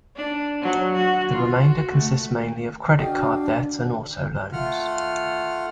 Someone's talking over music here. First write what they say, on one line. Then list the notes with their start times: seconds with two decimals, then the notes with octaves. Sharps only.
The remainder consists mainly of credit card debt and auto loans.
0.16 D4
0.61 F#3
0.95 F#4
1.32 F4
1.63 F#4
1.93 A3
2.99 D4 F#4 D#5 F5 G5
4.52 A3 F4 F#5 F6